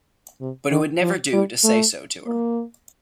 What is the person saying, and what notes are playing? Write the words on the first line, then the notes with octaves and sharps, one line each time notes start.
But it would never do to say so to her.
C3
D#3
F3
G3
A3
A#3